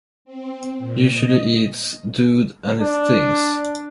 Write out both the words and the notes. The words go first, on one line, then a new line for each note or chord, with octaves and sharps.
Usually eats Dood and his things.
C4
A#2
D#5
D4